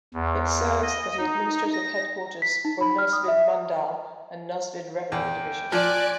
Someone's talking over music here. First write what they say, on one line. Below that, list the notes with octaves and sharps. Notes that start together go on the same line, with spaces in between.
It serves as the administrative headquarters for Nuzvid mandal and Nuzvid revenue division.
E2
D#5
D#4
A#6
B6
D#4
B5
F6
D#6
E5
E2 G5
F3 D5 G#5 F#6